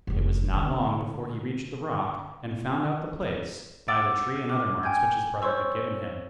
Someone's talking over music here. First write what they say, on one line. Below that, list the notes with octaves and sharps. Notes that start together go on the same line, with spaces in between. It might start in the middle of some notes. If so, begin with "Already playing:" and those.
It was not long before he reached the rock, and found out the place, by the tree and other marks which his brother had given him.
F1 E2
D3
F#5 D6 E6 A6 D7
D6
G5 G#5 G6 G#6
C5 C#5 C6 C#6 E6